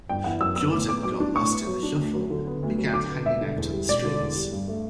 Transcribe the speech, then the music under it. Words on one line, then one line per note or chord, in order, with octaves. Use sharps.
Jordan got "lost in the shuffle"and began hanging out on the streets.
G1 G5
E3 F#5
F#2 E6
B3 E6
A2 D6
B3 D6
F#3 D6
D4
A2 C#6
B3
F#3
D4
D2
F#3
D3
B3
D2
F#3
D3 D6
B3
E1 E5
D3
E2
G3
E1 D5
D3
E2
G3
G2
A3